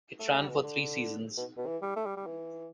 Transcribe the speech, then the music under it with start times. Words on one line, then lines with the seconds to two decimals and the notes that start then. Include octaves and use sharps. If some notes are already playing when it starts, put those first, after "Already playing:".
It ran for three seasons.
0.19 A3
0.29 A3
0.39 G3
0.49 B2
0.63 D3
1.38 B2
1.57 B2
1.67 E3
1.82 G3
1.96 A3
2.06 G3
2.17 G3
2.27 E3